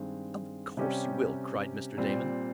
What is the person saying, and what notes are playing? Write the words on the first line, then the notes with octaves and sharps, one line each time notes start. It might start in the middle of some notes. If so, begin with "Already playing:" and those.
"Of course you will!" cried Mr. Damon.
Already playing: G2 D#3 G#3 C4
C3 G3 C#4 G4
A#2 G3 C4